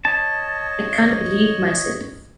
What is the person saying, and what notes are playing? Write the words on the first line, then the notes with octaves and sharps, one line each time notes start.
I can’t believe myself.
C#5 D#5 A5